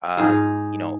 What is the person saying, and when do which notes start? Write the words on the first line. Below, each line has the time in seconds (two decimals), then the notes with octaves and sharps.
um, you know,
0.17 G#2 D#4 G#4